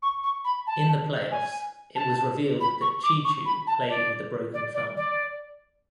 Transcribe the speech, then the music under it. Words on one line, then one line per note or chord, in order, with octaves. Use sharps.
In the playoffs, it was revealed that Cheechoo played with a broken thumb.
C#6
C#6
B5
A5
G#5
A5
B5
C#6
D6
C#6
B5
A5
D5
D5
D5
D5